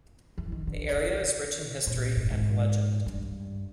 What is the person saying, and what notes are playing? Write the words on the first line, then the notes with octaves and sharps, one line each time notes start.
The area is rich in history and legend.
E3
D#3
D3
C3
A#2
G#2
G#2
G2